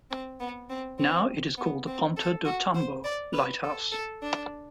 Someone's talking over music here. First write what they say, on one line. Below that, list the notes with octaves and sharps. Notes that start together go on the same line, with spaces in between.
Now it is called the Ponta do Tumbo Lighthouse.
C4
B3
C4
C4
B3
C4
A4
F#4
C5
D5
B4
A4
A4
D4